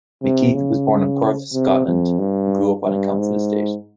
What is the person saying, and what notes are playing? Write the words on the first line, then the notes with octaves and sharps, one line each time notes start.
McKeith was born in Perth, Scotland, and grew up on a council estate.
C3
C#3
C3
F2
G2
G2
G#2